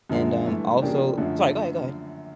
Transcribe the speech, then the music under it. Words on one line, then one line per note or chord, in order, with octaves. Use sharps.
and, um, also sorry, go ahead, go ahead.
F#2 D3 F3 G#3
G2 E3 A3
C#3 F3 A#3 D4 G4
F#2 D3 F3 A3